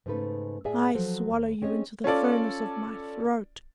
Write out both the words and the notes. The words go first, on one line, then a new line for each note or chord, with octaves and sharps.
I swallow you into the furnace of my throat.
G#2 C#3 A3 D#4 B4
A2 G#4 D5 E5 G#5
F3 F#3 A4 C5
D#2
C4 C#4 G#4 C#5 D#5
C#4 F4 A4 D5